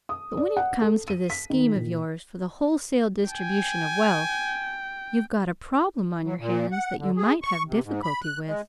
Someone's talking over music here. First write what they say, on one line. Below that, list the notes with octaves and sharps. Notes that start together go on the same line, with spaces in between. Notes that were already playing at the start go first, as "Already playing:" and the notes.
"But when it comes to this scheme of yours for the wholesale distribution of wealth--you've got a problem on your hands that you might have difficulty with."
D#6
D5
F#5
A4
D#7
B6
D#3
A#2
G5 G#5
F#3
A#2
F#5
D3
G#4
C#6
C3
G#2
B5
F#6
G#3